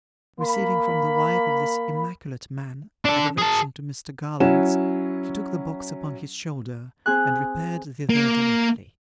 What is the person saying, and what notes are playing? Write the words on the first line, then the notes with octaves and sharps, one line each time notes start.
Receiving from the wife of this immaculate man, a direction to Mr Garland's, he took the box upon his shoulder and repaired thither directly.
A#3 B5
D4 A4
G#4 A5
F#3 C#4 E4 F#5 E7
C4 G#4 G#5 F#6
A#3